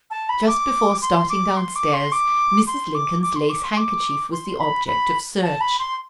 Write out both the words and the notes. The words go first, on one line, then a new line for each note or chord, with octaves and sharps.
Just before starting downstairs, Mrs. Lincoln's lace handkerchief was the object of search.
A5
B5
D6
C6
D6
C6
D6
C6
D6
C6
D6
D6
C6
D6
C6
D6
C6
B5
B5
A5
B5
C6